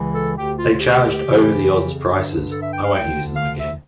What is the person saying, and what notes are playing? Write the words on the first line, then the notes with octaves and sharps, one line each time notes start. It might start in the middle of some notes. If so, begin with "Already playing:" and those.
They charged over-the-odds prices, I won't use them again.
Already playing: C#2 C#3 E3
A4
D2 D3 G4
F4
F4
G4
F2 C#3 E3
G2 D3
A4
E5
G5
F5
D2 D3 G5
F5
E5